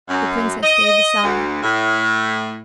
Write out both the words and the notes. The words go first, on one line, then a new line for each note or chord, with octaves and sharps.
The princess gave a sigh.
F#2
D#5
D2
A2